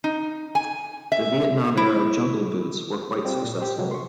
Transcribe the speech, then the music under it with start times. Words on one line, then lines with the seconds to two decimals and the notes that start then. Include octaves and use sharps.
The Vietnam-era Jungle Boots were quite successful.
0.04 D#4
0.55 G#5
1.12 E5
1.77 E4
3.25 G3 C4 F4
3.44 A#2
3.60 G4 C5
3.78 C3 F3 F#3 G#3
3.91 C6 C#6